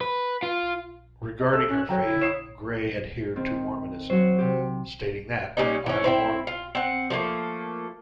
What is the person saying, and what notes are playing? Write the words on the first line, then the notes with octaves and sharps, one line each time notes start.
Regarding her faith, Grey adhered to Mormonism stating that, I am a Mormon.
B4
F4
D#5
A4 E6
C#4 F#6
D3 F#3 C#5 G5 A#5
E4
C#5 D#6 C7 E7
D#3 C4
F#3 F#4 C5
C3 G4
A#2 G3 C#4 D#4
E3 C#4
C4 E4 G5
F4
C4 F#5
F3 A3 A#3